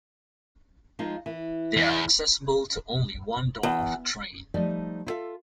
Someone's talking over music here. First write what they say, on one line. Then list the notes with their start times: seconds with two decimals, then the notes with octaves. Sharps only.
They are accessible to only one door of a train.
0.99 F3 G#3 D#4
1.26 E3
1.77 E2
3.63 E2
4.54 F3 G3 A3 D#4 D5 D#5
5.07 E4 F4 A4 B4 E5 F5